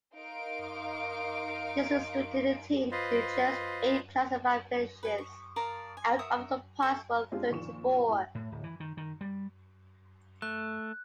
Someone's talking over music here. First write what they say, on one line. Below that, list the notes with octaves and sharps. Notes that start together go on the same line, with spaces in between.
This restricted the team to just eight classified finishes out of a possible thirty-four.
D#4 A#4 F5 C6 D7
F4 B4 C5 D#5
B4 G#5
C#6
A#4 D5 F5 A5
G#5
F#4 A#4 E5 D#6
A4 E5 C#6
G#3 C4 D4 F4 G4 G#4
A#2 D#3 F3 C#6 E7
A2 A3
A2
D1
E3
D#3
D#3
G3
A3 F#6